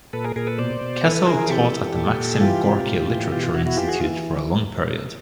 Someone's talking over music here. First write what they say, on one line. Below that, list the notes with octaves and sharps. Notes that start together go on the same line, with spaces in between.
Kassil taught at the Maxim Gorky Literature Institute for a long period.
A#2 A4 B4
G#4 A#4
A#2 G#4 A#4
A4 B4
B2 C5 D5
B2
E3 A4 B4
E3 G#4 A#4
C3 G4 A4
E3
A#2
A#2
G#4
E3 F4 G4
C3
A2
E3
B2 F4 G4
F4
B2 E4 F#4
E4 F#4
E3 F4 G4
F#4 G#4
E3 F4